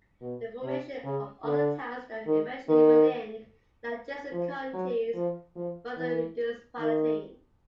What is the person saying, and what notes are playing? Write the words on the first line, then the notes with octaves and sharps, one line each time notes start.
The formation of other towns that eventually were in adjacent counties further reduced Palatine.
B2
C3
C#3
D3
D#3
D#3
F3
F#3
F3
F3
E3
D#3